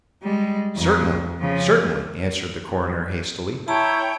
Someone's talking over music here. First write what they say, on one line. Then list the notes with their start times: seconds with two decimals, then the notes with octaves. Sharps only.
"Certainly--certainly," answered the coroner hastily.
0.22 G3 G#3
0.75 F2
1.39 C#3 F3
3.68 E4 C#5 G5 A5 A#5 C#6